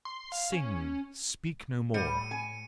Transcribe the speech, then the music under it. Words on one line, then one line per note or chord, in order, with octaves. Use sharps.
Sing! speak no more!
C6
F5
C#4
A2 G3 C#7 D#7
G#5